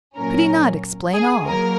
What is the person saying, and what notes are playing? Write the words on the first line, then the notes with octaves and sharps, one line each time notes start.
Could he not explain all?
A#2 F#3 C#4 A#4
G#4
F#3 A#3 A#4